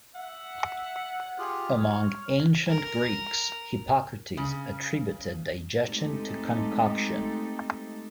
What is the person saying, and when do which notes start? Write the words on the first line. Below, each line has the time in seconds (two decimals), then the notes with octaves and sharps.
Among ancient Greeks, Hippocrates attributed digestion to concoction.
0.15 E5 F#5
1.38 F4 G4 G#4 F6
1.79 C#5
2.68 A#4
4.37 C#3
5.80 G#3 A3 C4 D#4 G4 A4